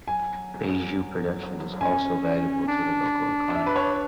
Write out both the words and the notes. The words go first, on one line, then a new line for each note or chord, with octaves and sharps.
Baijiu production is also valuable to the local economy.
F#3 G#5
C#4 G#5
D4
E5
B4
C#5